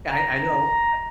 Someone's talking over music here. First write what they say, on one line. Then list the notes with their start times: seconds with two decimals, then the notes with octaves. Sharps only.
I I know, I
0.10 A#5